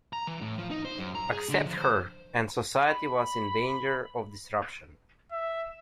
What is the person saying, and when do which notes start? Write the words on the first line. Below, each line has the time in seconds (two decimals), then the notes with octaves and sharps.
Accept her, and society was in danger of disruption.
0.13 A#5
0.27 E3
0.41 A2
0.58 F3
0.70 D#4
0.85 C5
0.99 F#2
1.15 A#5
1.31 G#4
1.50 D3
1.66 F3
1.77 C5
2.87 B5
5.32 E5